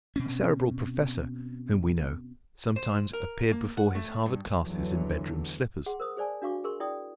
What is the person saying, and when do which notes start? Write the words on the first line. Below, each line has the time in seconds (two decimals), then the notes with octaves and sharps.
A Cerebral professor whom we know sometimes appeared before his Harvard classes in bedroom slippers.
0.16 B2 C4 C#4
2.76 C5
3.13 A#4
3.52 A#3
3.77 F#5
3.95 A3
4.26 G2
4.63 E2 D3 E3 F#3
5.86 G#4 F#5 C6
6.00 A#4 C5 D#6
6.17 G#4 C5 D5 G#5 A5
6.42 D4 F#4 F5 C#6 D6
6.64 G#4 A#4 C6 C#6
6.80 E4 D5 G5 D#6